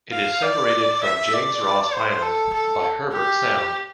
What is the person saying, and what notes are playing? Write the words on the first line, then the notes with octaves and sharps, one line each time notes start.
It is separated from James Ross Island by Herbert Sound.
F5
D5
E5
D5
C5
A4
A4
G4